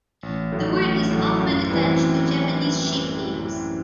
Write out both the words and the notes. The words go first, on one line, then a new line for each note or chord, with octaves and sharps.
The word is often attached to Japanese ship names.
A1
A2 F#3 A3
A1
A2 F#3 A3
F#2
E3 G3 C4 E4